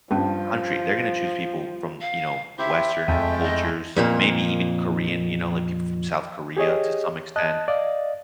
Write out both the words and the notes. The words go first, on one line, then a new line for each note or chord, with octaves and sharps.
country. They're gonna choose people from, you know, Western cultures, maybe even Korean, you know, like, people from South Korea to some extent.
G2 F3 C#4 A5
F5
E4 G4 C5 E5
F2 G#3 A3 G5 D#7
D#5
F2 A#2 A#3
G4 G#4 C#5 D#5
D#5 A5 F#6
D5 D#5 F5